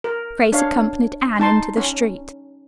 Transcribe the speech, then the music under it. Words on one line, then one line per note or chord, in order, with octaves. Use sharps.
Grace accompanied Anne into the street.
A#4
D4 C#5 F5
D#4 A5 C6
C#4